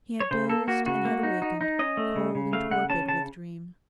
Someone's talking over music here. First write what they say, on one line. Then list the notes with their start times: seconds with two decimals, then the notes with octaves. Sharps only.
He had dozed and had awakened, cold and torpid with dream.
0.20 C#5
0.31 C#3 C5
0.49 A#3 A4
0.68 A#3 F#4
0.86 C#3 F#4
1.05 A#3
1.23 D#4
1.42 D#4
1.61 D#4
1.79 C#4 D#5
1.97 A3
2.16 C#3
2.35 C#3
2.53 A3 F5
2.71 C#3 F#5
2.90 C#4 A5
3.08 C#3 A5